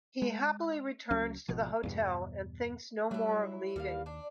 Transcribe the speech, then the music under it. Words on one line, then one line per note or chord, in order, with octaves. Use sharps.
He happily returns to the hotel and thinks no more of leaving.
G#3
C#2 F#3 C#4
G#1 B2 F3
E2 G2 B2
F#3 G3 E4
D#2 G3 A#3 F5
D4